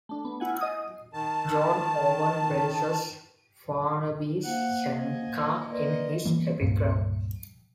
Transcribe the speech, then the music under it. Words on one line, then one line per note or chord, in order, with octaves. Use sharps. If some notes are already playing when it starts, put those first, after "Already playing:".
John Owen praises Farnaby's Seneca in his 'Epigrams.
A3 D4
B3
E4 F#5 G#5
D#5 D#6
D#3 A5
A#3 C5 F5 F#5
D#5 G#5
A#3 B4 D5 D#5 C6
E3 G3 A#3 B3
C#2 G2 A#2